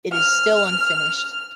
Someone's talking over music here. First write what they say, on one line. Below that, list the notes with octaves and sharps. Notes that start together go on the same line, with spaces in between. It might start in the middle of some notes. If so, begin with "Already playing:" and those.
It is still unfinished.
F6